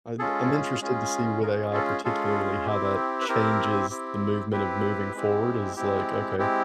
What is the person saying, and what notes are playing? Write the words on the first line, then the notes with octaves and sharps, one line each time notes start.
I'm b I'm interested to see with AI, particularly, how that changes the movement of moving forward is like, okay
G#3 C#4 F4 G#4 A4
G#3 C#4 F4 G#4
G#3 C#4 F4 G#4 A#4
A4
G#3 C#4 F4 G#4 A4
C4 E4 G4
B4
C4 E4 G4 A#4
C4 E4 G4
C4 E4 G4 B4
G#3 C4 E4 G4
G#3 C4 E4 G4
G#3 C4 E4 G4